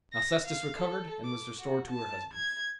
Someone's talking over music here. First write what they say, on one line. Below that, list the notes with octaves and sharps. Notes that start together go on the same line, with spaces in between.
Alcestis recovered, and was restored to her husband.
A#6
F5
A4
D6
F#4
A5
G#6